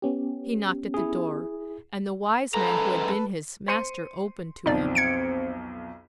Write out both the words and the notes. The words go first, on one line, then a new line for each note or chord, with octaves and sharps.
He knocked at the door, and the wise man who had been his master opened to him.
B3 C#4 G4
E4 G#4
F#2 G#3 A4 B4 A#5
C5 C6 C#7 D#7
B1 F2 C4 D#4 D5
G#6 C#7 D7